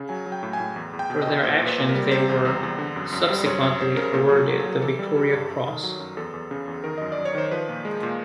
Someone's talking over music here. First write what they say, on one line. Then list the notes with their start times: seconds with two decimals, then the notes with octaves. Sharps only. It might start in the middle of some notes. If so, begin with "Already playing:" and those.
For their actions they were subsequently awarded the Victoria Cross.
Already playing: C#3
0.09 F#3 G#5
0.26 F#3
0.32 G5
0.43 A2
0.53 G#5
0.60 A2
0.76 E2
0.93 E2
0.99 G5
1.10 B2
1.22 D#5
1.27 E2
1.43 A#2 C5
1.61 A#2
1.67 B4
1.78 A#2
1.89 A#4
1.94 G3
2.11 C3 C5
2.29 E2
2.45 E2
2.63 E2
2.78 D3
2.96 F#2
3.12 F#2
3.30 G3
3.46 F#2 C#5
3.63 F#2 C#5
3.80 F#2 C5
3.97 C#3 A#4
4.14 A#2 A4
4.29 G#4
4.31 F#3
4.37 A4
4.48 F#3
4.60 A4
4.65 F#3
4.81 E3 A4
4.99 G3
5.16 G3
5.32 G2
5.50 F#2
5.67 D#3
5.83 F#3
5.99 F#2
6.17 E2 A4
6.33 E2
6.51 C#3
6.68 E2
6.84 D#3 A#4
6.98 F#2 D#5
7.12 D5
7.18 F#2
7.25 C#5
7.35 D#3 C5
7.51 F3 B4
7.69 A#2
7.85 G#3
8.03 A#2